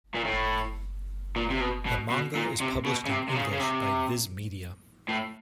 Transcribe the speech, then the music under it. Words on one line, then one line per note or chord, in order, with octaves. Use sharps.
The manga is published in English by Viz Media.
A#2
A2
A#2
C3
B2
B2
B2
A#2
C3
B2
C#3
C3
C3
C#3
C#3
C3
A2